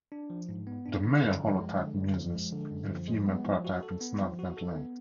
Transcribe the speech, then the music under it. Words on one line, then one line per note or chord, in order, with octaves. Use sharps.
The male holotype measures and female paratype in snout–vent length.
D4
F3
G#2
B3
D4
D3
F#2
F3
G#3
D3
F#2
F3
G#3
D3
F#2
F3
G#3
B3
F3
F#4
A4
B3
F3
F#4
A4
B3